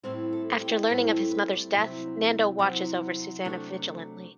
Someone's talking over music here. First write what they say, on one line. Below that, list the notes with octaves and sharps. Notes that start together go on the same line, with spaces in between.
After learning of his mother's death, Nando watches over Susana vigilantly.
A2 G3 C4 E4 C5
A4
G4
A2 G3 C4 E4 A4
A4
B4
D5
C3 F#3 C4 E4 E5
C3 F#3 C4 E4 F#5
C3 F#3 A3 D4